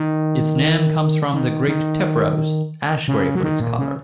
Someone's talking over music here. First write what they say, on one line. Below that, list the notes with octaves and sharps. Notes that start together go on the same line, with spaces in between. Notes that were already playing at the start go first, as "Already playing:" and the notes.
Its name comes from the Greek "tephros", "ash gray", for its color.
Already playing: D#3
D#3
D#3
C#3
F#3
D#3
A#2
C#3